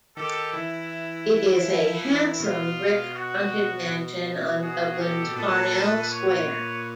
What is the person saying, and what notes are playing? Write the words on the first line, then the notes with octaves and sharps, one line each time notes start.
It is a handsome brick fronted mansion on Dublin's Parnell Square.
D#3 G4 A4
E3 E4
F3
E3
B2 F4
F#4
B2
F#4 G#4
G4 A4
B2
A#2 A4 B4
B4 C#5